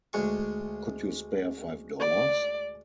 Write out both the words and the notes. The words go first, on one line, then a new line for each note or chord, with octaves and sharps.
Could you spare five dollars?
D2 G#3 C#6
D5